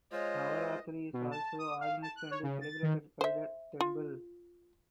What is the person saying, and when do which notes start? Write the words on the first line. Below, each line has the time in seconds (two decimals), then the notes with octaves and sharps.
Navaratri is also organised and celebrated by the temple.
0.12 G#3 F4 C5 C#5 D#5
1.13 B2
1.31 A5
1.58 D#6
1.80 F5
2.02 A5
2.16 F#6
2.31 C#5
2.43 C#3
2.61 A6
2.83 D#3
3.21 C5 E5
3.81 F4